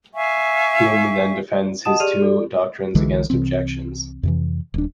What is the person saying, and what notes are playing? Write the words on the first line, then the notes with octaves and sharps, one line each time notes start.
Hume then defends his two doctrines against objections.
E5 F5 G#5 C#6
D#5 F#5 A5 D#6 E7
G4 G#4 D5 F6 D#7 F7
F#4 A4 D5
B1 D3 E3 G#3
C2 C3 E3 C4
F2 C3 E3
D#1 D4